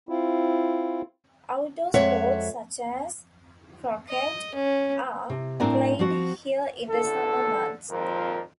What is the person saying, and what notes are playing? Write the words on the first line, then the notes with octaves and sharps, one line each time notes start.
Outdoor sports such as croquet are played here in the summer months.
C4 E4 F4
F2 G#3 C#5 E5 F#5
D#5
C#4
C3
A2 C4 D4 A#4 D5 G#5
F3 C4 F#4
A1 E2 D3 A4
G#1 F2 A#2 F3 A#4